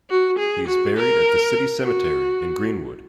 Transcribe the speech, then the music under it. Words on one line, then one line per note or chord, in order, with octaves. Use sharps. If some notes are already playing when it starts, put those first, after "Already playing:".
He is buried at the City Cemetery in Greenwood.
F#4
G#4
F#4
A#4
F#4